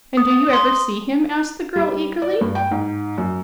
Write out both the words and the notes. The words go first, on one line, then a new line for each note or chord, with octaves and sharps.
"And do you ever see him?" asked the girl, eagerly.
D#6
C6
G3
D5
G2
G5
G#2
F#2